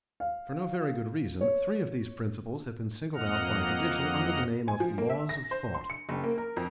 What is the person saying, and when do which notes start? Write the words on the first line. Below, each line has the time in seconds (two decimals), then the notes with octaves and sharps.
For no very good reason, three of these principles have been singled out by tradition under the name of 'Laws of Thought'.
0.20 F5
1.41 C#5
3.14 F2 A#3 D#5 F#5 F6
4.68 G#5
4.80 F3
4.98 A#3
5.10 E5
5.29 A#6
5.51 C5
5.74 C6
5.90 C#7
6.09 F#1
6.24 A#3
6.38 A#4
6.57 F2